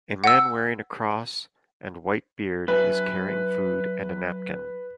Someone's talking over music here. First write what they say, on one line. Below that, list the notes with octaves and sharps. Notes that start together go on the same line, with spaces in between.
A man wearing a cross and white beard is carrying food and a napkin.
F#5 E6
F#3 B4 E5 B5